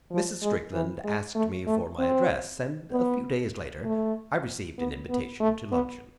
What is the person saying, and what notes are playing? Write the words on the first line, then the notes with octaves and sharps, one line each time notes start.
Mrs. Strickland asked me for my address, and a few days later I received an invitation to luncheon.
F3
G#3
E3
G#3
A3
A3
C4
B3
A3
B3
B3
A3
B3